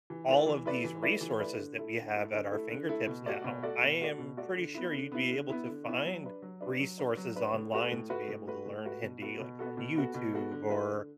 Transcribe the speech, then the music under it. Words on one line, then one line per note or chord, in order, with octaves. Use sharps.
all of these resources that we have at our fingertips now, I am pretty sure you'd be able to find resources online to be able to learn Hindi, like, on YouTube, or
E3
A3 E4 B4 D5
E3
A3 E4 B4 D5
E3
A3 E4 B4 D5
E3
A3 E4 B4 D5
D3
A3 E4 A4
D3
A3 E4 A4
D3
A3 E4 A4
D3
A3 E4 A4
B2
A3 F#4 A4 D5
B2
A3 F#4 A4 D5
B2
A3 F#4 A4 D5
B2
A3 F#4 A4 D5
D3
B3 E4
D3
B3 E4
D3
B3 E4
D3
B3 E4
F#3
D4 B4
F#3
D4 B4
F#3
D4 B4
F#3
D4 B4
A2
A3 F#4 B4
A2
A3 F#4 B4
A2
A3 F#4 B4
A2
A3 F#4 B4
B2
B3 F#4 A4
B2
B3 F#4 A4
B2
B3 F#4 A4
B2
B3 F#4 A4
D3
A3 E4 B4
D3